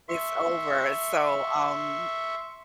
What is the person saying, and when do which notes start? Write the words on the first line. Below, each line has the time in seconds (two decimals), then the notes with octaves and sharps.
it's over. So, um,
0.09 E5 C6 C#6